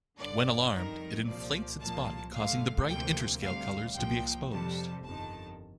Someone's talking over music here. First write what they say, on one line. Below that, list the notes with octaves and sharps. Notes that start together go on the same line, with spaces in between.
When alarmed, it inflates its body causing the bright interscale colours to be exposed.
G1 G2 D3 D5
F2 D#3 G3 A#4
C2 A#2 F3 D5
C2 A#2 F3 A#3 A5
G2 D3 A3 F5
D2 C3 F3 A#3 G5
D2 C3 G3 F5
C2 A#2 F3 G5
F2 C3 G3 A5
G1 F2 D#3 A5